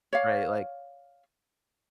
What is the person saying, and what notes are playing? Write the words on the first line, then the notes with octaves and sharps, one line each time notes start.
right, like,
C#5 D5 F5